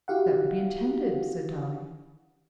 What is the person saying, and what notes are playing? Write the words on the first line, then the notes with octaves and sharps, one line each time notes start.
"That would be intended," said Dolly.
E4 F#4 G4 F5 F#5